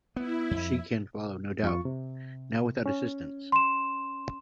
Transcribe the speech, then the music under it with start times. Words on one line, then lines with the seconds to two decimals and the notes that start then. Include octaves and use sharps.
She can follow, no doubt, now without assistance.
0.16 B3 E4
0.51 F2
1.63 F2 F4 C#6
1.85 C3
2.86 C#4
3.52 C6 E7